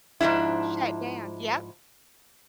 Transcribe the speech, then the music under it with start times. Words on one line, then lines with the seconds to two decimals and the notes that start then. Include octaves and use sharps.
shut down Yep.
0.21 G#2 C3 F3 D4 E4